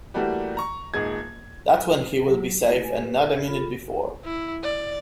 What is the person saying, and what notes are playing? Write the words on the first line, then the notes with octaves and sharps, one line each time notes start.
That's when he'll be safe and not a minute before.
E3 G3 A3 A#3 F#4 G4
A#5 C#6
D#1 G#2 G#4 G#6
G#6
F#3
A3 A#3 E4 F#4 G4 B4
B4 G#5
G4 B4
A#4 C#5 E5
F4 A4 B5
E4
D5